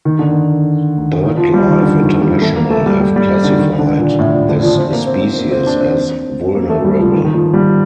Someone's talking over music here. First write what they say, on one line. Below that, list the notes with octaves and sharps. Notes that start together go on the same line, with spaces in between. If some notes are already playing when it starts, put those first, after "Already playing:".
BirdLife International have classified this species as "Vulnerable".
D#3
D3
D#3
D#3
F3
G3
D#3
D3
D#3
G3
A3
A#3
A3
G3
G3
G3
D3
D#3
D3
A#2
A2
A#2
D3
F3
C4
A#3
C4
C4
A#3
C4
D4
C4
A#3
A3
G3
F3
D#3
D#3
F3
G3